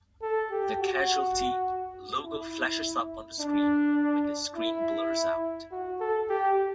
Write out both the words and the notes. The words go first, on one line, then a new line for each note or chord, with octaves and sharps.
The "Casualty" logo flashes up on the screen when the screen blurs out.
A4
G4
F#4
E4
D4
E4
F#4
A4
G4